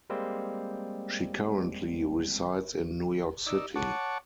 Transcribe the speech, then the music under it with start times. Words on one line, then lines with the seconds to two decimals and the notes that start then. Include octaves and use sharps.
She currently resides in New York City.
0.10 G3 G#3 A#3 C4
3.47 D#4 D5 E6
3.76 C#5 F#5 A5 C#6 D6